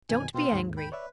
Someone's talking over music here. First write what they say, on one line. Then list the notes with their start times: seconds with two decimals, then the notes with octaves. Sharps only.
Don't be angry.
0.10 F#2 B2 D#3 G#5
0.34 B2 C4 F4
0.52 D#2 G#2
0.77 G5 B5
0.92 B4 C#5 D5 E5